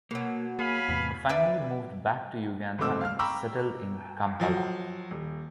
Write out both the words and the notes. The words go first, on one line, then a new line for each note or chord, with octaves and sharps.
Her family moved back to Uganda and settled in Kampala.
B2 F#3 A#3
A#3 G#4 F5 G#5 B5
E2 A2 C3 B3
B4 D5 E5
F#1 G#2 A3 C4 D6 E6
F5 F6
G5 A#5 B5 C#6 D6 E6
F3 F#3
D#1